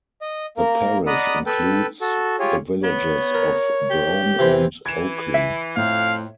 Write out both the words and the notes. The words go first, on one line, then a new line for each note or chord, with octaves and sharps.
The parish includes the villages of Brome and Oakley.
D#5
A#3 A#4
D5 D#5 F#5 A#5 B5 D#6
A4 B4 G5
F#4 A4
F4 G4 G#4 C#5
B3 C#5
A#4
G4
C3 E3 C5
E3 G#6 E7
E5
F2 A2 F5